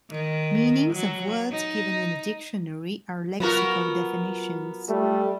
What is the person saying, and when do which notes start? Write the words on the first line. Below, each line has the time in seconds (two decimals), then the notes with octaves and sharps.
Meanings of words given in a dictionary are lexical definitions.
0.10 D#3
0.93 F#3
1.52 D#4
3.40 F#3 B3 F4 F#4 A#4
4.89 G3 A3